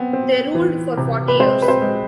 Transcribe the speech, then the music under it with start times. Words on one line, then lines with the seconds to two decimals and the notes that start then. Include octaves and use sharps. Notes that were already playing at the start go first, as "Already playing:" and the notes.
They ruled for forty years.
Already playing: B3 C4
0.13 C4
0.55 E3
0.97 C3
1.28 B4
1.39 G#3 C4 C5
1.62 B4
1.68 C4 C5
1.82 G#3